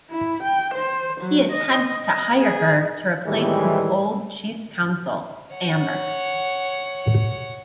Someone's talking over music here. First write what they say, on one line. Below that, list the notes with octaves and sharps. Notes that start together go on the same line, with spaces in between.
He attempts to hire her to replace his old Chief Counsel, Amber.
E4
G5
C5
F#3
D#5
D#5
G#4
A2 D#3 E3 G3 G#3
C#5 F#5